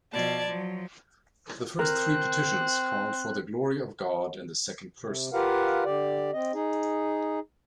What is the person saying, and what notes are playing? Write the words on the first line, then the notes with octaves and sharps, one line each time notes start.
The first three petitions called for the glory of God in the second person.
B2 F3 D5 A5 G#6
F3 F#3
C4 A#4 F#6
C3
F4 G4 A#4 B4 F5 F#5
D3 G4 D5
C4 D#5
D#4 G#4